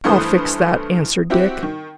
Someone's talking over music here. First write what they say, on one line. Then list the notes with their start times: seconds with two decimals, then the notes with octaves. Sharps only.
"I'll fix that," answered Dick.
0.04 G2 E3 A3 B4 C5 D#6
1.30 C4 E4 F#4 G4
1.63 D#3